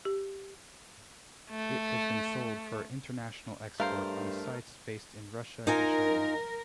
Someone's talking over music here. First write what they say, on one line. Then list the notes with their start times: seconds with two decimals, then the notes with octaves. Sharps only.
It has been sold for international export on sites based in Russia and China.
0.05 G4
1.51 A3
3.80 G2 A3 A#4 C5 F5
5.67 D#4 F4 A#4 G#5